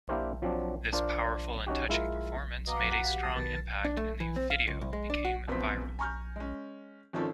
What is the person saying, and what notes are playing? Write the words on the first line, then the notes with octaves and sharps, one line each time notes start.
This powerful and touching performance made a strong impact and the video became viral.
A#3 D4 E4 G4 A#4 C5
F3 F#3 C4 D4
D4 F4 A#4 C5 D5
C#4 D#4 F#4 G4
G#3 E4 F4 A#4
B2 D#5 F5 A#5 D6
B1 F2 B4
F#4
G4 F5
D2 A5 D#6 C7
B1 B2 D#3 B4 A5
D4
A3
E3
C4
F5
C#2
C2
G#3
D4
F#4
E1 A#1 B3 C4 C5 B6
G#5 A#5 C#6 F6 G6
G#3 C#4
G#1 D#3 F3 C4 C#4 A4